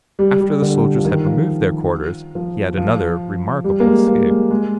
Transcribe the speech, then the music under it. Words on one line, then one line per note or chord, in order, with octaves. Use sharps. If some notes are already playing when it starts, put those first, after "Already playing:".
After the soldiers had removed their quarters he had another remarkable escape.
G3
G3
D3
F3
D#3
F3
F3
F3
G3
A#3
G#3
A#3
G#3
G#3